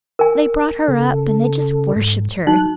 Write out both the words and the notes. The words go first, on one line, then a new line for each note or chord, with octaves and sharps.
They brought her up and they just worshipped her.
A#4 G#5
C#3 A4
G#2
F#3 D#4 F#6